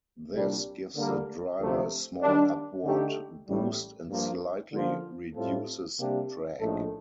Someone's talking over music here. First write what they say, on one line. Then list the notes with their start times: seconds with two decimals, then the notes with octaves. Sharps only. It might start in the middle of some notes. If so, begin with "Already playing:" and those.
This gives the driver a small upward boost and slightly reduces drag.
0.32 C2 A#2 G3 D4
0.96 D3 G3 A#3 D4
1.58 D2 C3 F3 A3
2.21 D#3 G3 D4
2.84 D3 A3 D#4 G4
3.46 A1 A2 G3
4.09 G2 F3 A#3
4.72 D3 F3 A#3 F4 C5
5.34 A2 G3 C4 F4 A4
5.97 C3 G3 A#3 D4 G4
6.59 A#1 A2 A3 D#4 A4